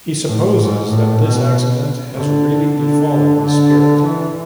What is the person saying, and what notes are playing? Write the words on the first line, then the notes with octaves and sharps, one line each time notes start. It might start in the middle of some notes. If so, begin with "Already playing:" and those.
He supposes that this accident has really befallen his spirit.
A2
G#2
A2
B2
D3
D3
D3
D3
E3